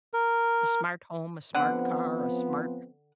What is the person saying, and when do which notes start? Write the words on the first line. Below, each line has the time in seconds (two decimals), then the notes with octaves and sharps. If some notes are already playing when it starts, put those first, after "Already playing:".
A smart home, a smart car, a smart
0.14 A#4
1.55 D3 F3 B3 C4 F#5